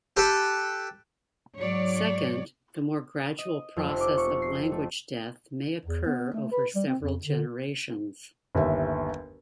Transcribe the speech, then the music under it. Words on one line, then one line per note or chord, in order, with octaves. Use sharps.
Second, the more gradual process of language death may occur over several generations.
G4 A4 B4
G#2 F#3 C#5 D5
D#5
F2
F1
D6
C#6
C7
A3
E2
B3
A3
B4
G3
C4
F2
D3
G1 D#2 E5